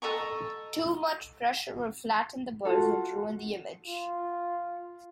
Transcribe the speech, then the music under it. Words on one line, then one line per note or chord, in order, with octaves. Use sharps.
Too much pressure will flatten the burrs and ruin the image.
A4 D#5 A#5 C#6
F4 F#4 A4
F4